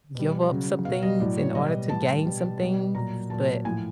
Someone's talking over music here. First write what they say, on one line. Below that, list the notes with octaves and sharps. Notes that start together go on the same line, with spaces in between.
give up some things in order to gain some things, but
B2 G3
C#3 F#3
B2 F#3 F5
D#5
A2 F#3 D5
C#5
B2 G3 D#5
A2 E3 G3 A5
B2 G3
B2 G3
A#2 F#3 A#5
A#2 F#3 A5
A2 F3 G#5